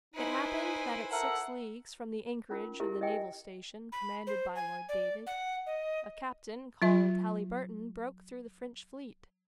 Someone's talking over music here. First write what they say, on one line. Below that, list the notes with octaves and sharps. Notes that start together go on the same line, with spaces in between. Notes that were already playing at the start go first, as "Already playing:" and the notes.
It happened that at six leagues from the anchorage of the naval station commanded by Lord David, a captain called Halyburton broke through the French fleet.
D#4 E4 B4 C5 G#5
A4 A#4 E5 F#5
C#4 D#4 F4 A#4
E4 G4 G#4 A#4 E5 A#5
D#5 E5 G5 G#5
B5
C5
G#5
D5
F#5
D#5
F#3 F4 E5